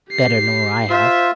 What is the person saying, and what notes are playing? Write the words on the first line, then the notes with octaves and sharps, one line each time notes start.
Better nor I have.
G4 C7
F4 C5 E5